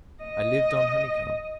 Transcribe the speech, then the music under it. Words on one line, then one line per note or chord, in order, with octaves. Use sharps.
I lived on honeycomb.
D#5